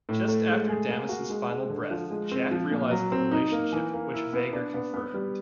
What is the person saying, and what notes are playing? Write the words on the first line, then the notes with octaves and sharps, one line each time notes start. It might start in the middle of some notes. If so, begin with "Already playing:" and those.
Just after Damas' final breath, Jak realized the relationship, which Veger confirmed.
A2
A3
G#3
G#4
A#3
F#4
G#3
G#3
D3
F3
G#3
C4
F3
A#2
F#3
C4
D#4
A#3
E3
A#3
E4
B3
D4
B3
B3
G3